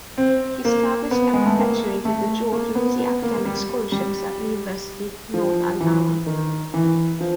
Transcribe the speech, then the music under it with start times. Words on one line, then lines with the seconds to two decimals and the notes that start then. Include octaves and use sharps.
He established and perpetuated the George Lindsey Academic Scholarships at University of North Alabama.
0.18 C4
0.65 A#3
1.11 B3
1.34 G#3
1.46 A3
1.59 A#3
2.05 A3
2.52 A#3
2.75 B3
2.99 B3
3.23 A#3
3.45 G3
3.92 G3
5.34 F3
5.80 E3
6.26 D#3
6.74 E3
7.21 F3